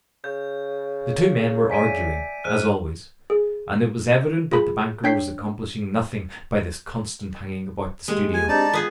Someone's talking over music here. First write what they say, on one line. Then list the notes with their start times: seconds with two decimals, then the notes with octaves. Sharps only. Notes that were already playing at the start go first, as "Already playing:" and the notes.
The two men were arguing, as always, and it was evident that the banker was accomplishing nothing by this constant hanging about the studio.
0.24 C#3 G6
1.71 D5 E5 G#5 B6 D7 D#7
2.44 G#2 F6 F#6 D#7
3.30 G#4
4.52 F4 G#4 B5
5.04 D4 C#5 G5 G6 B6 C7
8.08 G#3 A#3 G4
8.34 G#5
8.49 C4 D4 D#4 G4 D5 A5
8.73 B3 F4 G#4